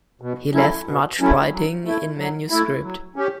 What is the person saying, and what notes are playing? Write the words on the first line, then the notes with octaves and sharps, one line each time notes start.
He left much writing in manuscript.
B2
F#3 A3 C#4 E4
B2
F#3 A3 C#4 E4
F#3
A3 E4
F#3
A3 E4
F#3
C#4 G4